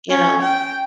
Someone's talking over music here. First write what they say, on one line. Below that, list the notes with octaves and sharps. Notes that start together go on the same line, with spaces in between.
You know?
C#4
G5